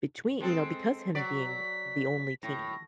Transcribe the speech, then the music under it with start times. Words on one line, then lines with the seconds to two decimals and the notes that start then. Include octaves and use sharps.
between you know, because him being the only teen.
0.41 G#3 C4 A4
1.15 F#3 D5 B6
2.43 A2 A#6